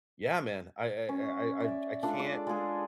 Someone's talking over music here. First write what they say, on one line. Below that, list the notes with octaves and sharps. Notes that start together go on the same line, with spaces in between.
yeah, man, I I I I I can't
C#4
D5 E5
G#3 D4 F4 A4
D6
G#3 F4 G#4 A4